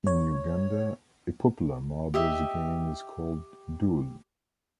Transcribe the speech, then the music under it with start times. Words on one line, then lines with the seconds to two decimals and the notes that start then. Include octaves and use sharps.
In Uganda, a popular marbles game is called "dool".
0.07 C#5
2.14 G4 D#5 E5